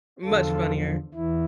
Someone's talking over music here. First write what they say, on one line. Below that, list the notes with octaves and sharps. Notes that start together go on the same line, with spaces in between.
Much funnier.
E2 D3 F3 F4 A4
E2 E3 E4